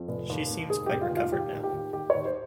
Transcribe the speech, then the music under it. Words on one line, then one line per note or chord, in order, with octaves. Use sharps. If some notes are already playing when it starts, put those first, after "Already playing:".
She seems quite recovered now.
Already playing: F2
F1
D#2
F1
D#2 G#4
G4
F1
F4
D#2
F4
D#2 G4
D#2
G4
D#2
D#2 G4
C#5
D#2
C5